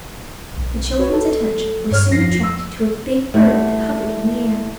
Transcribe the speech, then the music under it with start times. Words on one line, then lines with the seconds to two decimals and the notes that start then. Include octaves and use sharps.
The children's attention was soon attracted to a big bird that hovered in the air.
0.56 B1
0.99 F#4 B4 C#5
1.13 A4
1.91 G2 C#5 F6
2.10 F2 F3 A#6 C7
2.43 E6
3.34 E2 G3 A3 F#5